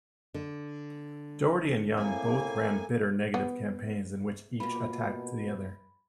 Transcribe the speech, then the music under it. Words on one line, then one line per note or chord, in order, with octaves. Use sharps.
Dougherty and Young both ran bitter, negative campaigns in which each attacked the other.
D3
A2 A#3 C4 G#5
B3
B2 A#3 F4 B5